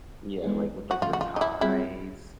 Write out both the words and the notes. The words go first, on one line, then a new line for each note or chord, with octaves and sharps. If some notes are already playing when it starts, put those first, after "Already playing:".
Yeah, like, with, like, the ties
E3 G#3 B3 D#4 G#4
F#4
D2 C#3 F3 A3 F4
F#4
F4
D#4
E4
G3 C4 E4 F4 G#4 C#5